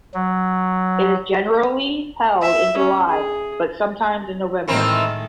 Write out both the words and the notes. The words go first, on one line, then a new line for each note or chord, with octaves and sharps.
It is generally held in July but sometimes in November.
F#3
E5
C#4
G#4
A2 D#3 E3 G#3 A3 C4 A#4